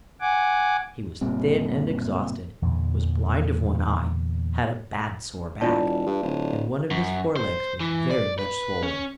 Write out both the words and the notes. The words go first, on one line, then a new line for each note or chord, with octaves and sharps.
He was thin and exhausted, was blind of one eye, had a bad sore back, and one of his forelegs was very much swollen.
F#5 G#5 D6
F#1 A#2 G3 C4
E2 A#2 D3 E3
E1 F4 D5 A5
G2
D1
F#2
C5
E3
D5
B4
C#4